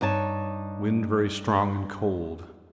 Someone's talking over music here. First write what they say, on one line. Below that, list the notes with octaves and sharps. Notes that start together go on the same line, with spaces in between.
Wind very strong and cold.
G2 D#4 C#5 A5